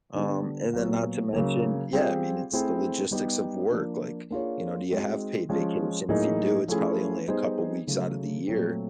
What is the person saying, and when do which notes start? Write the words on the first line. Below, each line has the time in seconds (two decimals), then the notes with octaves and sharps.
Um, and then not to mention yeah, I mean, it's the logistics of work, like, you know, do you have paid vacation? If you do, it's probably only a couple weeks outta the year,
0.15 D3 G3 B3 D4
0.73 A#2 F#3 B3
1.33 C#3 F#3 A#3
1.93 G3 C4 F4 G#4
2.52 A3 C4 E4 G#4
3.11 G3 B3 D#4 G4
3.70 F3 A#3 D4
4.30 A#3 D4 F4 G#4 C#5
4.90 G#3 C4 D#4 F#4
5.49 F3 G#3 C#4
6.09 A2 F#3 A#3 D#4 G#4
6.68 F3 A3 C#4 E4 G#4
7.28 G3 B3 D#4 G#4 C5
7.87 C#3 F#3 A3
8.47 A#2 F#3 A3 C4